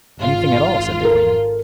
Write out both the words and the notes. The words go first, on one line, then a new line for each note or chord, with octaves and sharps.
"Anything at all," said the queen.
G#1 F4
A4 A#4